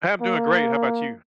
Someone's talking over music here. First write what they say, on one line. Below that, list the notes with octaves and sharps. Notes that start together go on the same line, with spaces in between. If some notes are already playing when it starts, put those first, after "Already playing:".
I'm doing great. How 'bout you?
A#3